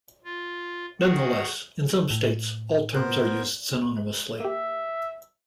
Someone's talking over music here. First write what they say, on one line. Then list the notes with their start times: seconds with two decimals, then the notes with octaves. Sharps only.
Nonetheless, in some states, all terms are used synonymously.
0.24 F4
1.00 D#3 F#4 G#4 F#5
2.11 A2
2.94 B3 A#4 C5
4.40 A#3 G4 E5